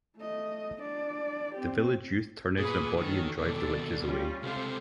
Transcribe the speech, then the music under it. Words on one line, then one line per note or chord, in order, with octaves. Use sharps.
The village youth turn out in a body and drive the witches away.
A3 D#5
D4 D5
C4 G4
A#2 B3 G#4 B4
D#3 C#4 F#4 A4
D#2 B2 A4 D5
G3 C#4 F4
C#2 C3 A4 C5 F5